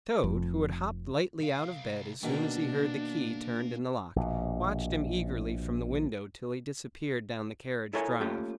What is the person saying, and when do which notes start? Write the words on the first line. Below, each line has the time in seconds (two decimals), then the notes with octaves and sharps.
The Toad, who had hopped lightly out of bed as soon as he heard the key turned in the lock, watched him eagerly from the window till he disappeared down the carriage-drive.
0.24 F1 F2
1.40 C2 F5
2.23 B2 D#3 A#3 D4
4.16 A#1 B2
7.93 E4 A4 A#4 C#5 G#5
8.20 A3 A#3 C#4 F4 G4 A4